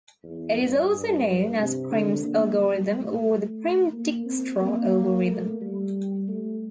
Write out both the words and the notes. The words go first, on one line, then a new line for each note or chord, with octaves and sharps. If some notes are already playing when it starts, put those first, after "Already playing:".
It is also known as Prim's algorithm or the Prim-Dikstra algorithm.
E2
G2
G2
C3
D3
A#3
G3
A3
A#3
C4
A#3
A3
G3
A3